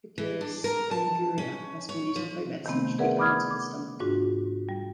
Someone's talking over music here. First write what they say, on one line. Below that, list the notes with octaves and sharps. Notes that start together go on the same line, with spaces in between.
"Cucumis anguria" has been used in folk medicine to treat ailments of the stomach.
E3
D4
A#4
A5
C#4
C#5
F3
C3 D#3 F3 A3 B3 C4
G#4 A#4 B4 D5 E5 F#5
F#5 B5 D6 D#6 F6 G#6
D6
G#2 D4 F4 F#4
G3